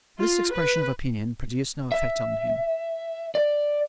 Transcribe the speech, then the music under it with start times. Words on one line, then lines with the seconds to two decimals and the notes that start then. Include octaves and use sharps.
This expression of opinion produced no effect on him.
0.19 F4
0.52 B4
1.92 E5
3.35 D5